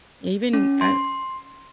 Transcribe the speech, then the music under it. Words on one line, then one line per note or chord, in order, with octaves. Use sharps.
even I
C#4
C6